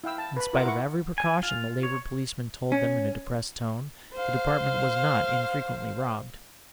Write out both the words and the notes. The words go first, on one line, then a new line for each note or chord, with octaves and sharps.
In spite of every precaution, the Labour policeman told them in a depressed tone, the Department was not infrequently robbed.
E4 F5 G5 E6
A5
B4 B5
F4 A#4 E5 F#5 D6
E4 F#5 C#6
G#5
F4
C#5
C#4
C5 F5